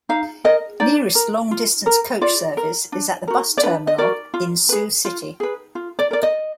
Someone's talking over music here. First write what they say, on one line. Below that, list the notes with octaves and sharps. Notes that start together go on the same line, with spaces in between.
Nearest long distance coach service is at the bus terminal in Sioux City.
D#4 F5
A#4 D#5
D#4 D5
A#4
F4
A#4
F4 D5
A#4
D4
F#4 A#4
D5
D4 B4
D#5
F#4 A#4 D5
F4
G#4 B4
F4
G#4 B4
F4
D5
A#4 D5
D#5